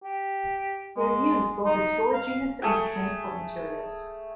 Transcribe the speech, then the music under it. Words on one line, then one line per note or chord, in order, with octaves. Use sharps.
They are used both as storage units and to transport materials.
G4
G#3
D#4
F5
A3 G#4 G5